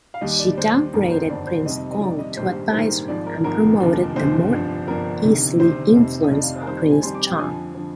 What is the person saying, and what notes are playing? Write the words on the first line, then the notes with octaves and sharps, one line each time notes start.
She downgraded Prince Gong to "advisor" and promoted the more easily influenced Prince Chun.
F5
D#2 D#3 G3 D#5
D5
D#2 D#3 G3 C5
G1 F2 D#3 A#4
C5
G1 F2 D#3 D5
C5
F2 C3 D#3 G3 D#5
D#5
F2 C3 D#3 G3 D5
D#5
A#1 G#2 D#3 G3 C5
A#4
A#1 G#2 D#3 G3 C5
G#1 G#2 F3 D5
A#4
G#1 G#2 F3 A#4
F1 D#2 D3 F3
F1 D#2 D3 F3 C5
G1 G2 D3 F3
G1 G2 D3 F3 A#4
D2 C3 D#3
D2 C3 D#3 C5
F1 F2 C3 D#3 C5
D#5
F1 F2 C3 D#3 D5
F5
C5
A#4
F2 D#3 G3 C5
D5
G#5
F2 D#3 G3 C6
D6
G5
F2 D3 F3 G#5
D3 F3